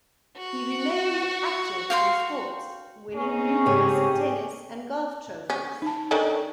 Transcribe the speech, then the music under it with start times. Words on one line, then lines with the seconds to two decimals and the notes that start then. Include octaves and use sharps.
He remained active in sports, winning numerous tennis and golf trophies.
0.38 F#4
1.90 F5 G5 C6
3.15 C4 C#4 D#4 G#4
3.66 G#2 C#3 G4 C#5
5.50 C#4
5.82 D#4 A5
6.11 D#3 C#4 D4 A4